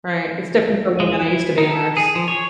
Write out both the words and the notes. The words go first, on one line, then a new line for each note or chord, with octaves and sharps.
Right, it's different for women, I used to be a nurse.
G#3
E4
D#4
A4
G#4
F3
C#5